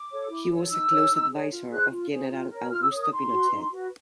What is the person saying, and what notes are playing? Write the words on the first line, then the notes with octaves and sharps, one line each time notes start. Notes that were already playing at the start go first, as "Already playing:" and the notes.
He was a close advisor of General Augusto Pinochet.
Already playing: D6
A4 C#5
E4
A4 C#5
D#4 E6
G#4 C#5
D#4
G#4 C#5
F4
G#4 C5 F#6
F4
G#4 C5
F4
A#4 C#5
F4 F6
E6
A#4 C#5 D#6
D#6
D#4 C6
F#4 B4
D#4
F#4 B4